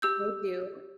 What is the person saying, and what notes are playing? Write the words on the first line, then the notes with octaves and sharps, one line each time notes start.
I do.
G4 E6 G6